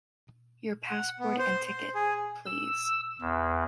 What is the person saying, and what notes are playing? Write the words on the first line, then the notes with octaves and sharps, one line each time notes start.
Your passport and ticket, please.
F#5
B3
C5
C5
G#4
E6
E2